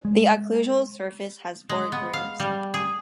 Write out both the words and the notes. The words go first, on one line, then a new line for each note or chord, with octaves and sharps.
The occlusal surface has four grooves.
G#3
G#3
B3
F5
G3
G#4